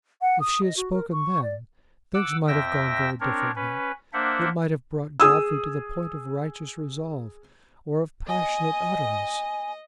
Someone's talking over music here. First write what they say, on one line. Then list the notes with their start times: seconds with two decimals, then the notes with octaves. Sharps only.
If she had spoken then, things might have gone very differently: it might have brought Godfrey to the point of righteous resolve or of passionate utterance.
0.22 F#5
0.40 D#6
0.63 D#5
0.77 F#4
0.92 A#4
1.12 C#6
1.43 D5
2.14 F#5 D6 E6
2.48 F2 E5 G5 E6 A#6
3.21 C4 D4 A#4 C#5
3.55 C#4 B4
4.13 A#3 D4 C5 E5 F#5
5.20 G#4 D#6 E6
8.29 D#5 G#5